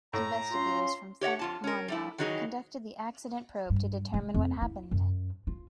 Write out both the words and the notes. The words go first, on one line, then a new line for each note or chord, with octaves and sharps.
Investigators from Fort Monmouth conducted the accident probe to determine what happened.
A2 A#5
C#4 F4 C6
G4 C#5 D#5 F#5
F2 F4 A5
C#4 A#4
G3 A3 E4
D#3 E3 F#3 D#4 G#4
G2
G#3
F2
E4
F#2
F4